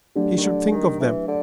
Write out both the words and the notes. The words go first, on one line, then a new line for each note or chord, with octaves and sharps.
He should think of them.
D3 F#3 A3 D4 G4
D#3
D3
D#3
E3
D3